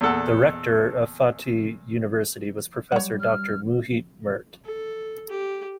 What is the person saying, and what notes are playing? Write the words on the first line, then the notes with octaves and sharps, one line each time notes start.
The rector of Fatih University was Professor Doctor Muhit Mert.
E2 A#2 A4 F#5
G3 C#5 F#5
F6
A4
G4